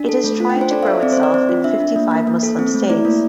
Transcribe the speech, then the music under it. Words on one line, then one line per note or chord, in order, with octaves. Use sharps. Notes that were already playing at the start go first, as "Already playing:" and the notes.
It is trying to grow itself in fifty-five Muslim states.
Already playing: D4
A4
A3
F4
G5
D4
C5
A4 D5
F5
A4 E5
C4 D5
C5
C4
D5
C4
F4
D4 E5
D4
A#3
A#3
A#3
A4
C4
A3
E4 D5
A#3